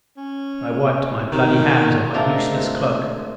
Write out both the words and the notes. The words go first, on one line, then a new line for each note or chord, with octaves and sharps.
I wiped my bloody hands on my useless cloak.
C#4
D#3
G#3 A3 C4 D4 F4 A#4